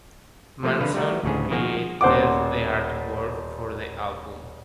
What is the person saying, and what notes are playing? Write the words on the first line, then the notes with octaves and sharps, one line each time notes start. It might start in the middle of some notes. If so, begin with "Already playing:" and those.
Manson created the artwork for the album.
C3 F3 A3 A#3 C5
D3 A4 B4 F5
G3 A3 F#4 A#4 D5
D2 A2 C#3 G#4
D#3 F3 A#3 F#4 G#4
D#1 C5 F#5 D6